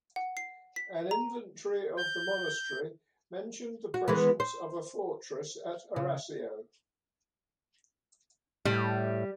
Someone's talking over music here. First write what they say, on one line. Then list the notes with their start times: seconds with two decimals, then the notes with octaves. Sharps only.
An inventory of the monastery mentioned the presence of a fortress at Arasio.
0.16 F#5
0.37 C7
0.76 B6
1.11 A#5
1.97 G6
3.94 F#4
4.08 E3 G#3 B3
4.40 C5
5.96 C#3
8.65 A2 G3